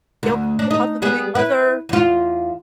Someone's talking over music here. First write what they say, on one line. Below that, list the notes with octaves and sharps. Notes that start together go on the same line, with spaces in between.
They'll g other The other
D2
D4
D#4
G3 B3 G#4
E4 B4
E2 F4